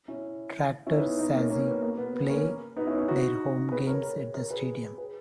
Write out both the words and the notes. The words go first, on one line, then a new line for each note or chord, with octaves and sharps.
Tractor Sazi play their home games at the stadium.
C#4 E4
C#4 E4
B3 D#4
B3 D#4
A#3 C#4
A#3 C#4
B3
A#3
B3
B3
A#3 C#4
B3 D#4
C#4 E4
C#4 E4
D#4 F#4
G#4 B4
A#4 C#5
A#4 C#5
A#4 C#5
G#4 B4
G#4 B4